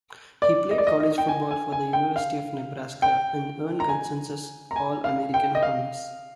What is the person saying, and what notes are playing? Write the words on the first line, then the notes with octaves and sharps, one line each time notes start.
He played college football for the University of Nebraska, and earned consensus All-American honors.
D5
D#5
D5
D#5
D#5
G5
G#5
G#5
G#5
G5
F5
G5
A#5
G#5
A#5
G#5
F5
G5
D#5
F5